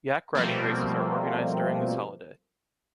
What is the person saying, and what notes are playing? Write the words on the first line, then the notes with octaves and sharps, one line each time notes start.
Yak riding races are organized during this holiday.
B2 F3 G3 A3 A#3 C4